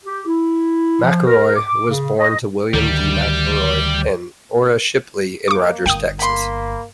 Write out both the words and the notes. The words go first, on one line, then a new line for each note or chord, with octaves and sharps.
McElroy was born to William D. McElroy and Ora Shipley in Rogers, Texas.
G4
E4
F3
A#4
D6
C#3
D#5
D2 D#3 G3
A#3 C#6 D6
G1 G5 D#6
A#3 B5 C6